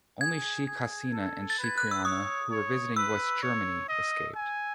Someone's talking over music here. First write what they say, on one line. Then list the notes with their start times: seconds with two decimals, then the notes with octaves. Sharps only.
Only Sheikh Hasina and Sheikh Rehana, who were visiting West Germany, escaped.
0.20 G#4 G#6
0.66 G#4
1.12 A4
1.50 A6
1.58 B4
1.64 G#6
1.78 F#6
1.91 E6
2.04 C#5 D#6
2.51 C#5
2.96 B4 E6
3.42 C#5
3.88 D#5
4.35 G#5